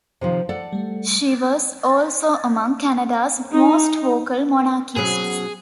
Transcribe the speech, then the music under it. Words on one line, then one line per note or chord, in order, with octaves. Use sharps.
She was also among Canada's most vocal monarchists.
C3 D#3 F3
A4 D5 F#5
G3 A3
D#4
B2 F#3 C#4 G#4